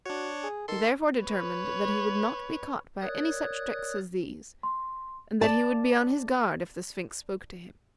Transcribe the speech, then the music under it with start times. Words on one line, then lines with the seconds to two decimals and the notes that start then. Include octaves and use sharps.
He therefore determined that he would not be caught by any such tricks as these, and that he would be on his guard if the Sphinx spoke to him.
0.05 D4 F#4 C#5
0.43 G#4
0.68 D#3 A4 C6
1.23 B4 C#5
3.01 A#4 C#5 D5 D#6 F#6 G#6
4.63 C6
5.41 D5 A5